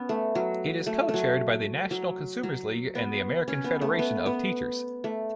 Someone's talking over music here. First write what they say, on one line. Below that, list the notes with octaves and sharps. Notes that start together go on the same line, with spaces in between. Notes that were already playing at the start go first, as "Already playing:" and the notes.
It is co-chaired by the National Consumers League and the American Federation of Teachers.
Already playing: B3 C#4
A3
F#3
A3
A3
F#3
F#3
F#3
B3
C#4
B3
A3
B3
B3
A3